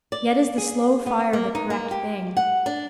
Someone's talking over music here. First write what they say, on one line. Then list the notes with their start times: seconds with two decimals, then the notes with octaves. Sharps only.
Yet is the slow fire the correct thing.
0.12 D5
0.58 G#4
1.06 B3
1.33 A#3
1.55 D#4
1.70 A#3
1.91 G4
2.37 F#5
2.66 D4